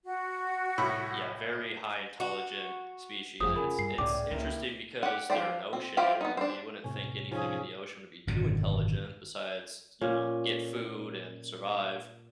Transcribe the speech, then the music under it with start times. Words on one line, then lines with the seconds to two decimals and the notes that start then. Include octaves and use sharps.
Yeah, very high intelligent species, and it's it's interesting because they're an ocean animal, you wouldn't think anything in the ocean would be too intelligent besides, you know, get food and survive.
0.05 F#4
0.78 C2 A2 B5
2.20 F#4
3.41 F#1 F2 A3 F4 G#4 C5 F#5 D#6
3.56 C#3 A#4 G#5 B5
3.79 G2 C7
3.98 C#2 A2 G#4 D5 G5 D6
4.31 C#2 A#3 E4 A#4
5.03 G4 F#5
5.30 F3 E4 G4 C5 D5
5.73 C4
5.97 E4 F4 G4 A4 C5
6.21 B3 D#4
6.37 D4 C5
6.84 E2 A2 C3 C#4
7.32 G#2 F3 C#4 G#4
8.27 G#1 F#2 B2 D3
10.01 A#2 C#4